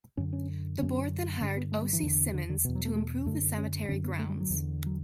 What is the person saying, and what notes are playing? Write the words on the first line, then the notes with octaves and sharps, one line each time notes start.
The board then hired O. C. Simonds to improve the cemetery grounds.
F#2 D3 C#4
C#4
F#2 D3 C#4
G2 D3 C#4
B3
A3
G3
E3
E2 D3
D3
D3
E2 B2
F#3
A3
A3
F#2 D3 A3
C#4
F#2 D3 C#4
B3
A3
G3
F#3
E2 D3
F#3